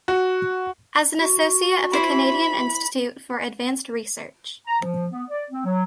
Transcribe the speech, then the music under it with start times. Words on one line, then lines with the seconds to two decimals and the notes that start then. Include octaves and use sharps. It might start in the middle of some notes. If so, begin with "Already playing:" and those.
As an Associate of the Canadian Institute for Advanced Research.
0.08 F#4
1.19 F#4
1.93 E4 C5 B5
4.68 A#5
4.82 F3
5.12 B3
5.30 D5
5.51 C4
5.65 F#3